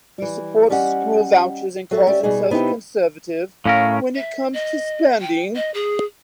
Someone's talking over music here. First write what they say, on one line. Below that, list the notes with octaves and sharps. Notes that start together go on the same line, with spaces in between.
He supports school vouchers and calls himself "conservative when it comes to spending".
E3 G3
G3 C#4 G4 D#5 F#5
F#3 F#4 A4 E5
C#4 G4 D5 E5
B2 G3 D#4 G#4
C3 B3 D#4 E4 G4
A2 C#4 A#4 F5
E5
D#5
G5
D#5
G#4